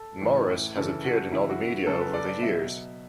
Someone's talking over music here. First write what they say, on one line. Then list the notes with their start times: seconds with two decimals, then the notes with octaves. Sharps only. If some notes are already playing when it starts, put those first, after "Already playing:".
Morris has appeared in other media over the years.
Already playing: A4
0.21 A2 E3
0.77 C#3 E3 A4
1.05 F#4
1.32 C#3 E3 E4
1.50 F#4
1.68 F#4
1.87 C#3 F#3 A4
2.01 B4
2.14 D5
2.29 D5
2.42 B2 F#3 E5